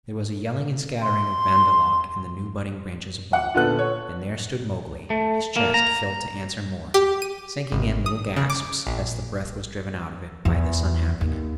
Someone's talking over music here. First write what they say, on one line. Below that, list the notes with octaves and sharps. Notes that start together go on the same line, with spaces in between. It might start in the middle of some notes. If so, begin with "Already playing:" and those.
There was a yelling and scattering of Bandar-log in the new-budding branches above, and there stood Mowgli, his chest, filled to answer Mor, sinking in little gasps as the breath was driven out of it by this unhappiness.
C6
F#5
A#2 D3 B3 A4 F#6
C#5
A3
A#3
A#5
G4
D#7
G#1
D#6
C#3
D6
A#1
E2
D#2